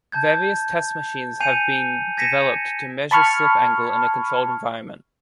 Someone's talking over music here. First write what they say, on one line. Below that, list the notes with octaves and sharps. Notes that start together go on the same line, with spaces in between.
Various test machines have been developed to measure slip angle in a controlled environment.
A5 G6 G#6
G#5 G6 C7 C#7 D#7 F7
G#6 A#6 B6 C#7 D#7 E7
A5 B5 C#6 F6 G#6